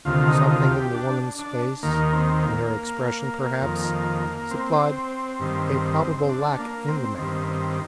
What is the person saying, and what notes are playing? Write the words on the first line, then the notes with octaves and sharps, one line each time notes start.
Something in the woman's face, in her expression perhaps, supplied a palpable lack in the man.
D2 C3 D#3 F4
D#4
F4
G4
D4
D4
D#2 D#3 A#3
C4
A#3
F2 D#3
C4
G2 D#3
C4
D4
A#3
C4
G2 D#3 C4
C4